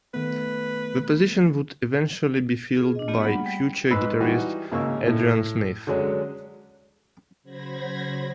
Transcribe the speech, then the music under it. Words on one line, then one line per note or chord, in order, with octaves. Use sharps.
The position would eventually be filled by future guitarist Adrian Smith.
D#3 A3 B3 B4
F4 G#4
D4 D#5
A3 B3 F4 G4 G#4 D5
G3 A#3 D4 F#5 B5
G3 G5
G#2 B4 B5 E6
E3 G3 D#4 F#4
G#1 C#3 A#3 C#6 E6
A2
D3 F#3 G#3 C#4 D4
C#3 F#3 C5 B5 G#6 A#6